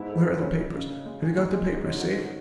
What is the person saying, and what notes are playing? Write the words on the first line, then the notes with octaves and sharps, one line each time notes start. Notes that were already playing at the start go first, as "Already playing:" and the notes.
Where are the papers?--Have you got the papers safe?
Already playing: G#2 B3 E4
A4
F#3
C#4
D#4
C#3
C#3
G#3
G#2 G#4
G#3
G#3
D#4
C#4
F#4
D#3